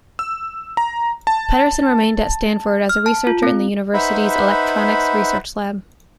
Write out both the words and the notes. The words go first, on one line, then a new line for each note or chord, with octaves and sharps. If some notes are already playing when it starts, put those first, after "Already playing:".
Pederson remained at Stanford as a researcher in the university's electronics research lab.
E6
A#5
A5
F6
A5
F4
C4
D#4 B4 C5 E5 F#5 B5